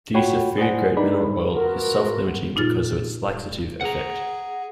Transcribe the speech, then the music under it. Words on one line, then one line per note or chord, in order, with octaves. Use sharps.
The use of food grade mineral oil is self-limiting because of its laxative effect.
F4 F#4 C#5 F#5 G5 B5
G#4 C5 D5 F#5 G#5
D4 D#4 B4 D5 B5
B3 F4 F#4 A#4
A#2 D#4 F4 F6 A6
G#4 F#5 A#5